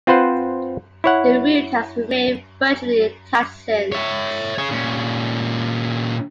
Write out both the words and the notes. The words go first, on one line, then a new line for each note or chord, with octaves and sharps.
The route has remained virtually intact since.
C4 F4 B4 C5 F#5
E4 C#5 F#5
C#5 E5
G#4 C#5
A#2 C#4